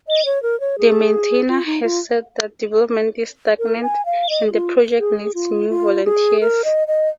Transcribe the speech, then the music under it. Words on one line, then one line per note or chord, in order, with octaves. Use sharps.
The maintainer has said that development is stagnant and the project needs new volunteers.
D#5
C#5
A#4
C#5
G#4
F4
D#4
F4
A#4
G#5
F5
D#5
G#4
F4
G#4
F4
F4
G#4
A#4
D#5
D#5